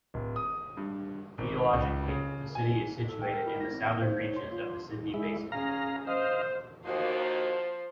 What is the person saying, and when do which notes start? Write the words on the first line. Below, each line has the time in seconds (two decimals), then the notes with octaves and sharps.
Geologically, the city is situated in the southern reaches of the Sydney basin.
0.14 D1
0.36 D#6
0.77 G2
1.38 G#1
1.73 C#2
2.08 C#3
2.55 G#5
3.08 A4
3.22 G5
3.33 A#4
3.46 E4
3.60 A#6
3.73 C4
3.88 A#3
4.01 C5
4.23 C#5
4.36 C6
4.51 F4
4.70 C6
5.14 G#3 E4
5.52 C#4 G#4 F5 A#5
6.07 C5 D#5 F5
6.85 D#2 F3 A#3 D#4 F#4 C5